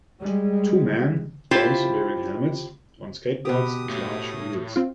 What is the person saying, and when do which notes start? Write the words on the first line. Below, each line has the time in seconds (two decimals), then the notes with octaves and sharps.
Two men, both wearing helmets, on skateboards with large wheels.
0.19 G3 G#3
1.51 E4 F4 G4 C5
3.45 B2 G4 D#6
3.89 A2
4.76 C4 F4